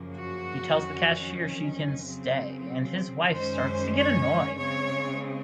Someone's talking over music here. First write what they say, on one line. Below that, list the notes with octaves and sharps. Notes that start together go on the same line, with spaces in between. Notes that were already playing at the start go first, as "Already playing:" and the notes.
He tells the cashier she can stay and his wife starts to get annoyed.
Already playing: F#2 C#3 F3 A#3
F#4
F2 D#3 F#3 C#4
C#3 F#3 C4
F#2 D#3 G#3 C#4 C5
C#5
C#3 G#3 C4 C#5